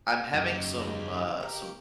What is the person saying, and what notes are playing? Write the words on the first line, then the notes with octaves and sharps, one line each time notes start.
I'm having some, uh some
F#2 C#3 F#3 D#4 G4 D#5
A#3 G4